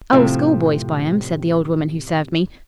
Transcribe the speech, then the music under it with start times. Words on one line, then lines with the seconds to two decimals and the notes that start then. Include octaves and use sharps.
'Oh, schoolboys buy 'em,' said the old woman who served me.
0.12 A2 C3 F3